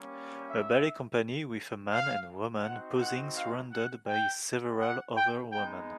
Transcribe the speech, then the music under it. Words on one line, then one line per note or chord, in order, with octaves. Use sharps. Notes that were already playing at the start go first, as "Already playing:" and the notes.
A ballet company with a man and woman posing surrounded by several other women.
Already playing: G3 A#3 C#4
E5
F5
C4 D#4 F#4 F#5
F#5
F5
F#5
G5
F#5
G5
G#3 B3 D#4 G5